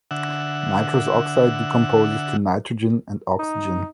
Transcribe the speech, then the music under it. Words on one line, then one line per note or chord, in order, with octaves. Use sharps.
Nitrous oxide decomposes to nitrogen and oxygen.
D3 E5 F#5
D#4